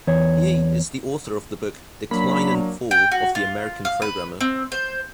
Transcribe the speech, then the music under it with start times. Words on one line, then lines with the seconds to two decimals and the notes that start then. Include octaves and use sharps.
He is the author of the book "Decline and Fall of the American Programmer".
0.07 E2 C#5
2.11 F#3 A#3 D4 B5
2.91 G5
3.12 F#4
3.35 F4
3.85 F5
4.02 B4
4.41 C4
4.72 C5